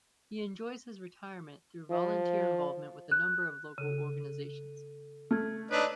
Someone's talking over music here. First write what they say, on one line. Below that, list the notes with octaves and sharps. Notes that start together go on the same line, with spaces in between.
He enjoys his retirement through volunteer involvement with a number of local organizations.
F3
F#6
C#3 A4 D#7
A3 F6 G#6
D4 D#4 B4 C#5 D5 E6